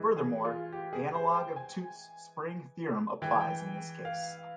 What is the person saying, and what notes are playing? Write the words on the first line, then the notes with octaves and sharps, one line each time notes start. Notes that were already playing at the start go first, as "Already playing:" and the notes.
Furthermore, the analogue of Tutte's spring theorem applies in this case.
Already playing: E3 G#3
G#4
F4
G4
G#4
C5
G5
G#5
E3 G#3 G5
G#5
G5
F5